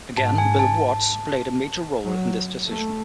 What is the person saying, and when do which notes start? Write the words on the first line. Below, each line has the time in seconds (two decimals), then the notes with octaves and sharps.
Again, Bill Watts played a major role in this decision.
0.17 G#2 A5
0.38 G#5
0.59 A5
2.04 F#3
2.67 A3